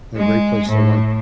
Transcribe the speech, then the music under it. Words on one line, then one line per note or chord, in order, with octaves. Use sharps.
they're a great place to learn.
G#3
A2